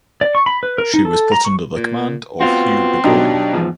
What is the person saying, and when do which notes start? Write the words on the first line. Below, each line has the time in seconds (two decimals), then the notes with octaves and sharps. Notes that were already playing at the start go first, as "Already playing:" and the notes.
She was put under the command of Hugh Burgoyne.
0.21 D5
0.35 C#6
0.46 B5
0.63 B4
0.78 A#4
0.94 D#4
1.05 A4
1.32 A#5
1.45 C#6
1.76 A#2
2.41 B3 C4 F4 F#4
3.04 B2 F#3 D4 D#4 G4
3.54 E2 G#2 F3